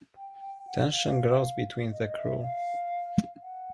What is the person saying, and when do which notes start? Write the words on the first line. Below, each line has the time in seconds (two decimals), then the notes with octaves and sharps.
Tension grows between the crew.
0.17 G5
0.41 G5
0.67 F#5
0.92 F5
1.92 D#5
2.17 E5
2.42 F5
3.43 F#5